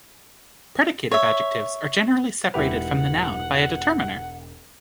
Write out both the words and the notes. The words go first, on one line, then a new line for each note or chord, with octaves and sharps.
Predicative adjectives are generally separated from the noun by a determiner.
C#5 E5
E1 G#2 E4 G4 B4 F#5 F7